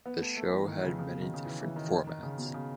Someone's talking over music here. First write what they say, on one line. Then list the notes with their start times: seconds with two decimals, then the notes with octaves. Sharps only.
The show had many different formats.
0.06 B3
0.21 A3
0.37 A3
0.52 E3
0.68 D#3
0.83 C#3
0.99 C#3
1.10 B2
1.22 D#3
1.34 C#3
1.45 E3
1.61 E3
1.76 D#3
1.91 D#3
2.07 D#3
2.23 C#3
2.38 B2
2.54 C#3